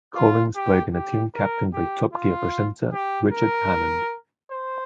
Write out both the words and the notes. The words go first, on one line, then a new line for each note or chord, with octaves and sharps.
Collins played in a team captained by "Top Gear" presenter Richard Hammond.
F4
G4
G4
A#4
G4
F4
G4
A#4
C5